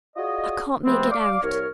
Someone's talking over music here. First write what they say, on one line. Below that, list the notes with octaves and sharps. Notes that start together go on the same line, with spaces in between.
I can't make it out.
F4 F#4 G#4 D5 D#5
C#2 C3 F3 A3 B3 C4
D5 F5 D6
C2 A#4 C#5 F6